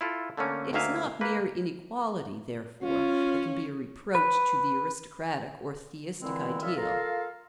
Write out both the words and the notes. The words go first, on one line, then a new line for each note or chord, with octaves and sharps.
It is not mere inequality, therefore, that can be a reproach to the aristocratic or theistic ideal.
E4 F4 A4
D3 A3 A#3 C#4
D2 D#3 A#3 E5 F5 G#5
A#3 B4
C#4 F4
B4
A#2 D3 E3 G#3 C4 E4
F4 G#4 A#4 C#5 D5 E5
F4 A4 A#4 F5